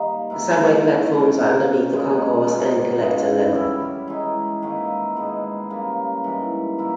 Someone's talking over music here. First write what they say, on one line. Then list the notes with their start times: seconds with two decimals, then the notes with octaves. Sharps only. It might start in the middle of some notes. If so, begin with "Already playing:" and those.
The subway platforms are underneath the concourse and collector level.
Already playing: D#3 G3 A#3 D#4
0.30 G#2 E3 A#3 E4
0.85 B2 G#3 C#4
1.38 A#2 A#3 C#4 G4
1.93 A#2 G#3 B3 D#4
2.46 B2 G#3 C#4 G4
3.00 C#3 E3 G#3
3.54 G3 C#4 E4
4.08 E3 G#3 D#4
4.62 G#2 D#3 A#3 E4
5.17 B2 G#3 B3
5.70 C#3 G3 A#3
6.24 G#2 E3 G3
6.78 A#3 E4